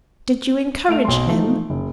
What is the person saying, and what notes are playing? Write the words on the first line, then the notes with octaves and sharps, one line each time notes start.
"Did you encourage him?"
A3 E5 D7 F7
B1 C6
E3 F3 A3 D#4
F#1